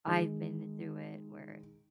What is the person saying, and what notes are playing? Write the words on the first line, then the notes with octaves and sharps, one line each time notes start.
I've been through it where
D#3 G#3